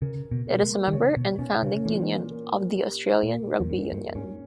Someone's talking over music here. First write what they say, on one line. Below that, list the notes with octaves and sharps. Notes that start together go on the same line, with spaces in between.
It is a member and founding union of the Australian Rugby Union.
C#3 A#4
B2
A#3
G#3
D#3
C#3 C#5
B2
B2 C#4
C#3
A#2 E3
A#3
G4
A#2 A#3
E2
G2 A#3
G2
G#2 C#4